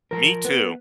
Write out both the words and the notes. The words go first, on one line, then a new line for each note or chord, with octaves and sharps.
Me too.
F3 A#4
B3